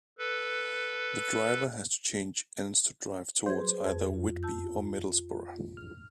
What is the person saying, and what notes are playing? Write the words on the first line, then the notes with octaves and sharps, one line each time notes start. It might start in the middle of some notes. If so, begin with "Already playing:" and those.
The driver has to change ends to drive towards either Whitby or Middlesbrough.
A4 B4
F#3 G#4 B4 C5 G6 G#6
F2
F#2 F4
A5 E6 G6
F6